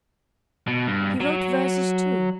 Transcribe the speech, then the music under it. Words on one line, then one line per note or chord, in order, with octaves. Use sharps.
He wrote verses too.
B2
G2
F#3